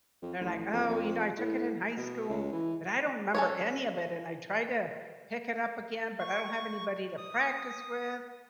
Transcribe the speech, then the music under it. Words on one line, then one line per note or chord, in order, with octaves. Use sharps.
They're like, "Oh, you know, I took it in high school, but I don't remember any of it, and I tried to pick it up again, but I don't have anybody to practice with.
F2
A1
F2
F2
A2
B2
C#2
E3
C#4 A4 C#5
C#6
D#6